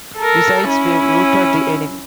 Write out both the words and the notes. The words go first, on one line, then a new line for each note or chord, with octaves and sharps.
Besides, we've routed the enemy.
A4 A#4
C#4 E4